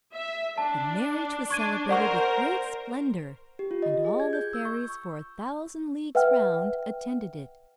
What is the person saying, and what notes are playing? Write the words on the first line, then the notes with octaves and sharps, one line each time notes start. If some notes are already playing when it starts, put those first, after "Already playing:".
The marriage was celebrated with great splendour; and all the fairies, for a thousand leagues round, attended it.
E5
D4 A5
D4 C#6 G#6 D#7
A#4 C5 D5 F#5 C#6
G4
F4
D#5
G#4
G#6
G6
E6
C#6
B4 E5 F#5 G5 F6